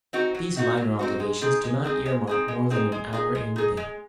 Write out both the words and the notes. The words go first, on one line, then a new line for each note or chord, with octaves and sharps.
These minor obligations do not earmark more than an hour in the day.
C4 D#4 F#4
F#3
C4 D#4 F#4
F#3
C4 D#4 F#4
G#3
C4 D#4 G#4
G#3
C4 D#4 G#4
G#3
C4 D#4 G#4
G#3
C4 D#4 G#4
G#3
D#4 G#4
G#3
D#4 G#4
G#3